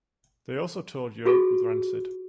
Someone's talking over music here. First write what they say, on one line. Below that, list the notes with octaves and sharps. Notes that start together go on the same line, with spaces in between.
They also toured Europe with Rancid.
F4 F#4 G#4 A4